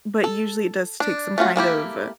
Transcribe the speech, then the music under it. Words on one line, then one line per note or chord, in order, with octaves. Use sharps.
but usually, it does take some kind of, uh,
A4
D4
A3 C#4 F4 F#4
A3 A#3 E4 G4